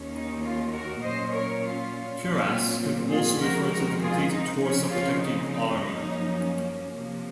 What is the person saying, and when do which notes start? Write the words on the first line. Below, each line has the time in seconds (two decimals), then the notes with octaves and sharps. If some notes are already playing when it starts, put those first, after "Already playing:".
"Cuirass" could also refer to the complete torso-protecting armour.
Already playing: D#2 D#3 A#3 C#4
0.13 D#4
0.42 C#4 F4
0.72 F#4 A#4
1.02 A#2 F#3 C#4 C5 D#5
1.32 A#4 C#5
1.62 C#4 F4
2.21 A#2 F#3 C4 C#4 F4
3.10 F4 G#4
3.40 F2 D#3 G#3 C4 F#4 A#4
3.71 F#4 A#4
4.00 F4 G#4
4.31 D#4
4.60 C#3 F3 C4 C#4
4.89 C#4 F4
5.20 D#4
5.49 D#4
5.78 F#2 F3 A#3 C#4 D#4
6.98 C3 F3 A#3